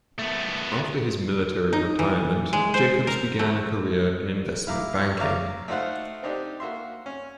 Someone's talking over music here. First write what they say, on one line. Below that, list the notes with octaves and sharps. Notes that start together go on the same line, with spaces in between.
After his military retirement, Jacobs began a career in investment banking.
A3 B3
D#4
E3
G#3
C5
A#4
A3
E4 F5 A#5 D6
C#5 D5 E5 F5 A#5 D6
A3 D#4 F#4 C5 F5 F#5
C4 D4 D#4 G4
A#3 F#4 E5 C6
C#4